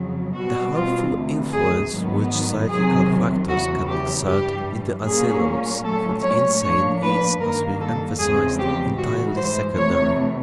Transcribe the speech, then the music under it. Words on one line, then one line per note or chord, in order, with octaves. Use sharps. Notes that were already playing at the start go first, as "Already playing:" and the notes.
The helpful influence which psychical factors can exert in the asylums for the insane is, as we emphasized, entirely secondary.
Already playing: F2 C#3 F#3
B2 G3 C4 F#4
F4
D2 C3 E3
G#4
G#2 D#3 F#3 B3
E2 C3 D#3 F#3 G#4
E2 C#3 E3 G3 F#4
G4
G2 E3 G3 G4
A#2 G3 A#3 C#4 G#4
A#2 F#3 A3 C#4 A4
C#5
A2 F3 A#3 D4 C#5
B4
G2 D#3 G3 A#3 A#4
A4
E2 C#3 F3 G#3 C4 G#4
G4
G#2 E3 G#3 F#4
C5
E2 C3 E3 A3 C#5